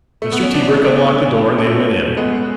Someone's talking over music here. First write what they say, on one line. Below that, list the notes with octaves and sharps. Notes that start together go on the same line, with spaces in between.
Mr. Tebrick unlocked the door and they went in.
A3
B3
C#4
B3 D4
A3 C#4
B3 D4
A3 C#4
A3 C#4
G#3 B3